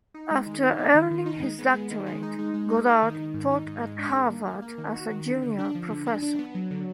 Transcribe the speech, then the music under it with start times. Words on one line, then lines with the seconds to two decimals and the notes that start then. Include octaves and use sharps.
After earning his doctorate, Goddard taught at Harvard as a junior professor.
0.14 D#4
0.31 G#3
0.46 D#3
0.63 D#4
0.78 B3
0.95 D#3
1.11 D#3
1.26 D#4
1.42 G#3
1.59 B3
1.74 G#3
1.91 D#3
2.06 G#3
2.23 D#4
2.39 G#3
2.54 G#3
2.70 D#4
2.86 D#4
3.03 D#3
3.19 D#3
3.34 G#2
3.50 D#4
3.66 G#2
3.83 G#3
3.99 D4
4.14 D#3
4.30 A#3
4.47 A#3
4.62 A#3
4.78 D#3
4.94 F#4
5.10 D#3
5.27 D3
5.42 D3
5.58 D4
5.75 F3
5.90 D3
6.06 D4
6.22 D4
6.39 B3
6.55 F#3
6.71 D3